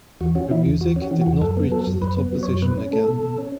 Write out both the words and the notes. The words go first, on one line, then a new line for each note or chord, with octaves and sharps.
Her music did not reach the top position again.
E2 F#4
C#4 F#4
E3 E4
E2
E2 F#4
C#4
F#4
E3
F#4
E2
F#2 A4
B3
F#3 A4
F#2
F#2 B4
B3
F#3
C#5
F#2
B2 B4
C#4
A3 A4
B2
B2
C#4